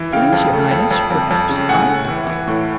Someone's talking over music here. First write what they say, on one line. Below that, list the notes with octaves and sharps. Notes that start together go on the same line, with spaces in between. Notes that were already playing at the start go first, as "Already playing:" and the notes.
"Please, Your Highness, perhaps I can find it."
Already playing: E3
C#3 F5 G5
F2
A3
F2
F2
F2
F2
C#3
A2 F#5 G#5
A2
E3
E3
A2